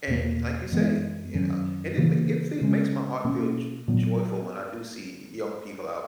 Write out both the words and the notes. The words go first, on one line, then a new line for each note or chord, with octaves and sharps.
and, like you say, you know, and it ma it feel makes my heart feel jo joyful when I do see young people out
E2 B2 A#3
F#2 E3 G#3 B3
F#2 D#3 F#3 C#4
C#3 E3 A#3
C#3 G#3 C#4
B2 A#3 C#4
A#2 F#3 B3